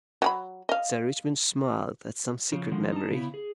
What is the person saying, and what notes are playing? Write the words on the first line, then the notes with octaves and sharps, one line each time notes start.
Sir Richmond smiled at some secret memory.
F#3 G#4 B5
D#5 F5
C#3 F3
D3 D#3 F3 G#3
D#4 A5
C#3 B3 E4
G#4